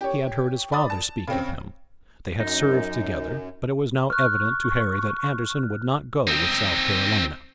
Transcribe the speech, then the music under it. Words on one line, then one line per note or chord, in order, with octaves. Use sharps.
He had heard his father speak of him; they had served together, but it was now evident to Harry that Anderson would not go with South Carolina.
G4 C#5
D5 B5 D6 D#6 A6
A5
C#3 C4
F#2 D#4
C#6 F6 F#6
C4 D#4